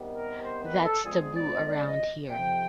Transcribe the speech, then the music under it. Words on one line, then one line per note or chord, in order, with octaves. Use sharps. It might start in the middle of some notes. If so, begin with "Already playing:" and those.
That's taboo around here.
Already playing: C3 D#3 G3 B3
A#4
C5
B4
A4
F2 D3 F3 G#3 B3 G#4
D5
D#5
D5
D#5
F2 C3 F3 G5